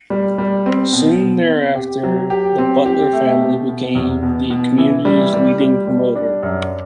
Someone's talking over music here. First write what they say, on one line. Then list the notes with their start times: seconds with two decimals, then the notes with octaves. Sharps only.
Soon thereafter the Butler family became the community's leading promoter.
0.10 G3
0.38 G3
0.66 C4
0.93 B2
1.21 B2
1.49 C4
1.75 G4
2.03 F#3
2.30 G4
2.58 C4
2.86 G4
3.13 A3
3.41 B2
3.69 B2
3.95 E2
4.23 B2
4.50 B2
4.78 E3
5.05 G3
5.33 G3
5.60 G3
5.87 G3
6.16 D4
6.43 F#2